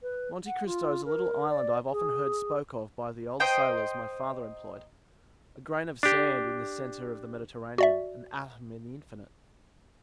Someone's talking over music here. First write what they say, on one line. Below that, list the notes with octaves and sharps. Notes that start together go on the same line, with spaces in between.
"Monte Cristo is a little island I have often heard spoken of by the old sailors my father employed--a grain of sand in the centre of the Mediterranean, an atom in the infinite."
B4
F#5
F4
A#4
D5
G#4
C5 D#5 G5 A#5
D4 G4
F#4 D5 E5